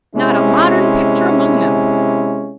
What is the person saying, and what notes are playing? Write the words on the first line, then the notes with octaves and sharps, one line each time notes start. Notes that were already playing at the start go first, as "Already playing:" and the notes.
Not a modern picture among them.
C3 G#3 C#4 E4